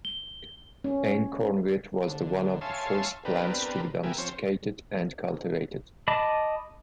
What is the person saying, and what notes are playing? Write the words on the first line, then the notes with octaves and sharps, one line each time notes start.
Einkorn wheat was one of the first plants to be domesticated and cultivated.
G7
C#4
D3
C#5 E5 F5 G#5 A5 C6
B3 C4 D4 G4 A#4 B4
B3 G4 A#4 E5 G#5
F3 C4 C5 C#5
D#5 A5 B5 D6